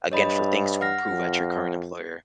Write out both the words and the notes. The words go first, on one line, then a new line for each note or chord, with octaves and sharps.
again, for things to improve at your current employer,
G2 C#5 D#5 B5
F#5 F6 A#6
F2